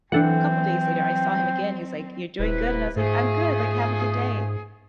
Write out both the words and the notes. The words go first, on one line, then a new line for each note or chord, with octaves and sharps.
couple days later, I saw him again, he was like, "You're doing good?" And I was like, "I'm good," like, "have a good day."
E3 F#3 C4 D4 A4 F#5 G5
D#1 C3 E4 B4
G#2 F3 A3 G#4